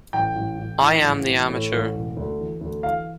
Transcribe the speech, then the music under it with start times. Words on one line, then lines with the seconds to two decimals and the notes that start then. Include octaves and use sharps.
I am the amateur.
0.13 A1 G5
0.35 A1
0.59 A1
0.81 E3
1.04 A1
1.26 E3
1.48 A2
1.72 A1
1.94 E1
2.17 D2
2.39 E3
2.61 D2
2.83 E3 F5